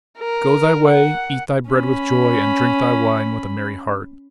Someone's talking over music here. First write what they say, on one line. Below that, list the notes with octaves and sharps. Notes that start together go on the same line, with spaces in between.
Go thy way, eat thy bread with joy, and drink thy wine with a merry heart....
A#4
F#5
C#4 B5